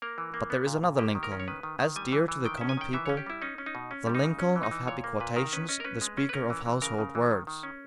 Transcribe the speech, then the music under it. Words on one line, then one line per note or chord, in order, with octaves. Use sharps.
But there is another Lincoln as dear to the common people--the Lincoln of happy quotations, the speaker of household words.
A#3 A#4
E3
A#3
B3
A#2
A#2
A#3 G4
D#3
A#4
C#4
C#5
D#3 B4
D#3
D#3
G3 G#5
E3
E3
D#3 G5
C#4 E5
G#5
D#3 G5
E3 E5
C#4 C#5
G4
G3 E4
C#4 D#4
C#4
D#4
B2
C#4
G3
D#4
C#3
C#4
E3
D#4
E3
A#2 C#5
A#3
A#2 B4
D#3 A#4
C#4 B4
C#4 D#5
A#4
C#4 B4
G#3
C#4
B4
C#4 A#4
E3
E3
C#3 A#4
C#3
E3
D#3
D#3
C#4